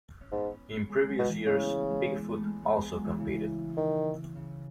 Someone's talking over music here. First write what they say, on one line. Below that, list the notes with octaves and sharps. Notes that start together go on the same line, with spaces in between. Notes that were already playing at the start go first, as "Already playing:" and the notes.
In previous years, Bigfoot also competed.
C#4
G#2 B3
C#4
B3
G#3
F#3
B2
E3
C#3 A3
B3
A3
G#3
C#4
B3
A3
G#3
A3
G#3
F#3
E3
C#3
D#3
C#3